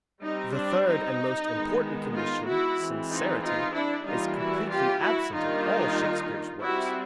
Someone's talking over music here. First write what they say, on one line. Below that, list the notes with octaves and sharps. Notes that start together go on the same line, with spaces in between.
The third and most important condition, sincerity, is completely absent in all Shakespeare's works.
G3 C4 D#4
D4
D#4
D#3 G#3 B3
D#4 F4
E4 F#4
E3 G#3 C4
D#4 F4
D#4 F4
D4 E4
E3 G3 A#3 D4 D#4 F4
E4 F#4
F4 G4
E4 F#4
D#3 G3 A#3 D4 D#4 F4
G3 C4 E4 F#4